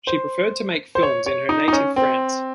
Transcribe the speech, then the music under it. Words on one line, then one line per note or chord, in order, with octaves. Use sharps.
She preferred to make films in her native France.
C5
C5
C#5
C#5
D#4
D#4
C#4
C4